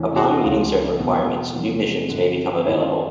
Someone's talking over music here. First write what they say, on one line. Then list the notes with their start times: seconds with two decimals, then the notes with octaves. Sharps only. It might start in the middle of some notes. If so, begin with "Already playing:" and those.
Upon meeting certain requirements, new missions may become available.
Already playing: E2 C3 E3 A3 C#4
0.16 F#4 G#4
0.43 C#2 C#3 F3 G#3 C#4 F4
0.98 F#1 E2 B2 G#3
1.53 E2 C3 F3
2.09 G1 G2 D3
2.64 F#2 D#3 G#3 C#4 E4
2.82 F4